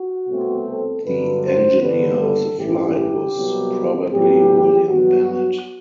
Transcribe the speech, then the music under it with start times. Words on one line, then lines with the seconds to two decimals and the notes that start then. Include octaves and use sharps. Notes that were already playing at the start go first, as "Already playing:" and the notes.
The engineer of the flight was probably William Bennet.
Already playing: F#4
0.28 C2 B2 A3 C4
0.67 A4
1.05 G2 D3 F#3 B4
1.43 C5
1.81 G2 D3 G3 B3 B4
2.20 A4
2.58 A1 G2 E3 G4
2.96 G4
3.34 C2 B2 F#3
4.11 A2 F#3 B3 G4
4.87 G2 F#3 B3 F#4